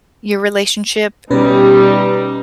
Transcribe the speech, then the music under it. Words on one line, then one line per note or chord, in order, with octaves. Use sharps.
your relationship?
B2 G3 C#4 D#4 B4